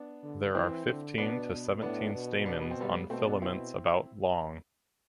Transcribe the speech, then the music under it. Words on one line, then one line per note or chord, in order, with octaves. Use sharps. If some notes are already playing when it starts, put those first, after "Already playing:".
There are fifteen to seventeen stamens on filaments about long.
Already playing: B3 D4
D3
E3 C4 E4
D3
B2 B3 D4
B2
A2 B3 D4
B2
B3 D4
B3
C4
G3 B3
B2 A3 C4
B3 D4
B2 C4 E4